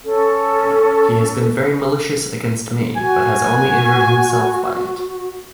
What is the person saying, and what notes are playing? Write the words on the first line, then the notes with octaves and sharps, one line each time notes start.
He has been very malicious against me but has only injured himself by it.
C#4 A4
F#4 G#5